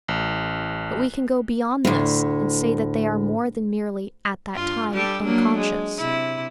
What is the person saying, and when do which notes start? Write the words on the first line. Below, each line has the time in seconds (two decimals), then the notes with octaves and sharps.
But we can go beyond this and say that they are more than merely "at that time" unconscious.
0.08 A1
1.85 D2 A2
4.55 G2 F4
4.92 G3 G4 A4
5.23 F#3 A#3 D4
5.57 G#3
5.99 C3 E4